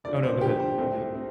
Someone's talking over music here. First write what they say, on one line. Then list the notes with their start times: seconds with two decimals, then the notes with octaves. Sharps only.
Oh, no, go ahead. I'm good.
0.04 D2 D3 F3 D5
0.23 C5
0.41 D2 D3 F3 G4
0.60 C5
0.78 C2 C3 A3 C4
1.15 C4